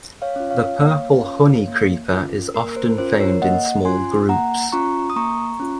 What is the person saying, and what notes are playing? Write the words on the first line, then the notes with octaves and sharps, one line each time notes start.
The purple honeycreeper is often found in small groups.
C#5 F5
C#4 F4
C#5 F5
A#3
C#4 F4
A#3
C#4 F4
A#3 A#4
A#4
C5
C#4 F4 C5
A#4 C#5
A#3 D#5 F#5
C#4 F4 G#5 C6
A#3 F#5 A#5
C#4 F4 A#5 C#6
D#6
A#3 A#5 C#6
C#4 F4